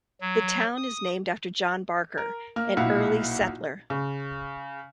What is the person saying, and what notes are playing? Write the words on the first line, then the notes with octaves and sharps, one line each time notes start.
The town is named after John Barker, an early settler.
F#3
D#6
A#4
A#3 F6
B1 A#2 E4 F5 F#5
C#3